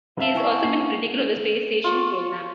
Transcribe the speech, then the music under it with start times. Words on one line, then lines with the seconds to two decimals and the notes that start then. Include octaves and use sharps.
He has also been critical of the space station program.
0.20 E5 F5 A5
0.35 E4 G#5 C#6
0.51 F#5
0.63 A#3 C7
1.84 F4 C#6